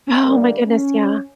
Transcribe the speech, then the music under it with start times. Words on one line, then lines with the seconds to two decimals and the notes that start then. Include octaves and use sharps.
Oh my goodness, yeah.
0.23 D3 G3 A3 A#3 A#4
0.64 C#4